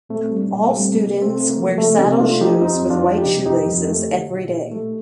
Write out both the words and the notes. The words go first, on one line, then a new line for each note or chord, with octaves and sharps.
All students wear saddle shoes with white shoelaces every day.
A#2 A3 C4
G3
A#3 D4
A#2
A3 C4
G3
C3 A#3
C3
A3 C4
A3
A#3
F3
C3 A3
C3 C4 D#4
A3 D4 F4
F3 D#4 G4
F2 C4 D#4
F2
D4 F4
F3
D#4 G4
C3
F2 D#4 G4
F2
A3
D3
A#2
A#2
A3